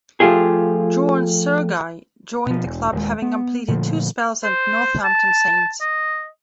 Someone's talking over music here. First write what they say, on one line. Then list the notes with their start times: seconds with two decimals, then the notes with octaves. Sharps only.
John Surguy joined the club having completed two spells at Northampton Saints.
0.20 F3 A3 F4 G4 G#4
2.46 B2 F3
2.64 E1
2.92 D#1 D#2 G#3
3.22 B3
3.68 A#2 D3 F3 A3
4.44 C5
5.04 A5
5.81 D#5